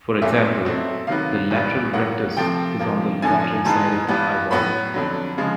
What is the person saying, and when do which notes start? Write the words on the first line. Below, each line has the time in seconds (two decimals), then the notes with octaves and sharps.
For example, the lateral rectus is on the lateral side of the eyeball.
0.22 A#2 F#3 A3 C4 E5
0.65 B2 F#3 A3 C4
1.07 C3 D#3 F#3 B3 F5
1.51 E2 B2 G3 B3
1.93 A2 F#3 A#3 F#5
2.36 C3 F3 A3 C4 G5
2.79 C3 F3 A#3
3.22 F#2 D3 F3 G#5
3.65 G#2 E3 G#3 B3 A5
4.08 G2 E3 G3 B3
4.51 A2 F#3 B3 B5
4.94 F2 D3 F#3
5.38 C#3 F3 G#3